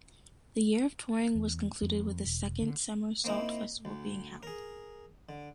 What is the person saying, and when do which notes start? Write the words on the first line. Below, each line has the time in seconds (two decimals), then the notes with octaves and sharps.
The year of touring was concluded with the second Summersault festival being held.
1.35 E2
1.82 F2
2.25 E1
2.62 D3
3.24 A#3 C4 D#4 E4
3.85 D2
4.43 G#4 A#4
5.29 D3